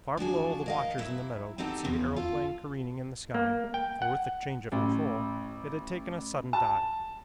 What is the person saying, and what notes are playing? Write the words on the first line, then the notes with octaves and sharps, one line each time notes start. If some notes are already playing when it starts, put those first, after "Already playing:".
Far below the watchers in the meadow could see the aeroplane careening in the sky, for with the change of control it had taken a sudden dive.
F3 D4 F#4 G#4
A#4 D#5 F5
F#3 E4
C4 D#4 G4 A4 F#5
E2 F3 C#4
F4 A4 F5
A#3
G5
F#5
A1
A5